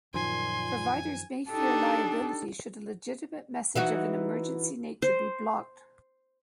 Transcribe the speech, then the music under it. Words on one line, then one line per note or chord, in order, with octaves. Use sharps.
Providers may fear liability should a legitimate message of an emergency nature be blocked.
F#2 A#2 D#3 F3 G#5 C6
D4 D#4 G4 A4
E3 D#4 F#4
C5